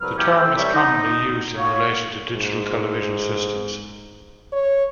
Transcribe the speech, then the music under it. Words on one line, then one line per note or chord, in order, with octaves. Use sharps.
The term is commonly used in relation to digital television systems.
C2 F#3 B4 F6
E3 F#3 B3 C#4 G4
E4 A4 C5 G5
C2 G3 C#5 E5
D#4
F4 F#4 C#5
G#2
C#5